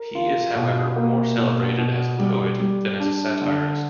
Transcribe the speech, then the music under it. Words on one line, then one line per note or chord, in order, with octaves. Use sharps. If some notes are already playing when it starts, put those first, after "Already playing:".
He is however, more celebrated as poet than as a satirist.
Already playing: A#4
F4
B2
A#3
B2
B2
G3
G3
D4
D3